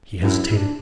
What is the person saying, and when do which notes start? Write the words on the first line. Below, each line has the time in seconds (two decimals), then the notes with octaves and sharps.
He hesitated.
0.22 F#2 E4
0.57 D4